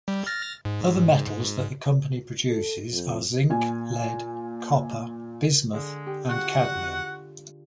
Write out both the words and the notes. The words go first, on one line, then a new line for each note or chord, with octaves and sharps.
Other metals that the company produces are zinc, lead, copper, bismuth, and cadmium.
G3
F6 A6 A#6
G#2
A4
F2
A#2 G#5
D3 G#3 G#4
G4
F4 F#4 F#5